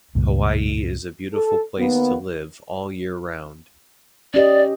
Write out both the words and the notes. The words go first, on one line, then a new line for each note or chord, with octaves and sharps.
Hawaii is a beautiful place to live all year round.
C#2 G2 A#2
A4
D#2 D#3 A#3 B3
C#4 G4 D5 D#5